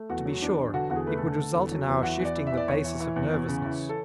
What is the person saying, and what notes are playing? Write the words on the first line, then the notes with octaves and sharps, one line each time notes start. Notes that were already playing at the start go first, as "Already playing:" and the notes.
To be sure, it would result in our shifting the basis of nervousness.
Already playing: A3
E2 F#4
F#3
E2 D4
F#3
D3 F#4
E2 F#4
G#4
A3 B4
A4
D3
D3
E2
F#3
E2
E3 F#4
E2
D5
E3
E5
E2
D5
E2 C#5
E3
E3
E2
E2
C#3
E3
A4